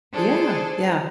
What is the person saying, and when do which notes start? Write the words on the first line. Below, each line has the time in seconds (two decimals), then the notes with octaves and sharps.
Yeah. Yeah.
0.13 D4 G#4 A4 C5